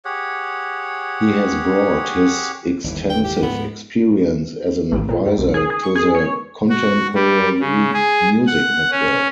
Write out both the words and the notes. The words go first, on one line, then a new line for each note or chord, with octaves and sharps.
He has brought his extensive experience, as an advisor, to the Contemporary Music Network.
G4 G#4 C#5 F#5
G1 D#2 E3
G5
G4
D2 G#2 F3 B3
A1
A#2
G2
B1
G#4
G#4
C#6
G#4
C#5
F#4
G3
C#3
G#4
F#5
C#4